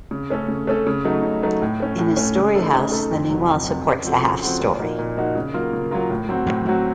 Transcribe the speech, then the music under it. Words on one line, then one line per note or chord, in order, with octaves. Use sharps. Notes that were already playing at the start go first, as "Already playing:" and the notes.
In a -story house, the knee wall supports the "half story".
C#3
A3 C#4 A4
C#3
A3 C#4 A4
C#3
F#3 A3 D#4
C#3
F#3 A3 D#4
A2
A3 C#4
A2
A3 C#4
C#3
A3 D#4 A4
C#3
A3 D#4 A4
F2
C3 F#3
F2
C3 F#3
C#3
F3 C4 F#4 A4
C#3
F3 C4 F#4 A4
A#2
F3 A#3 D#4 F#4
A#2
F3 A#3 D#4 F#4
C#3
F#3 A#3 F4 A#4
C#3
F#3 A#3 F4 A#4
A2
F#3 C4 F#4
A2
F#3 C4 F#4